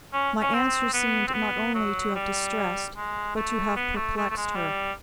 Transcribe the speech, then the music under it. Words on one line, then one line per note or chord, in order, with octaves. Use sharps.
My answers seemed not only to have distressed, but to have perplexed her.
C#4
C#4
C4
B3
C4
B3
F#3
G3
G#3
A3
B3
A3
A3
A3
G#3
G3